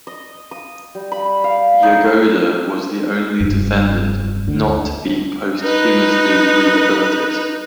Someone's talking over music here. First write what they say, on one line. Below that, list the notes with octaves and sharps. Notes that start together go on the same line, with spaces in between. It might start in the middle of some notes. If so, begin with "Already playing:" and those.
Yagoda was the only defendant not to be posthumously rehabilitated.
D#5
D#6
G3
B5
F5
D#4
F1 G2
D2 D3
D#4 B4